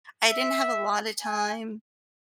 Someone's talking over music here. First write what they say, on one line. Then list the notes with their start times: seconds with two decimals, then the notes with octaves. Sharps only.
I didn't have a lotta time
0.29 E5
1.22 G#5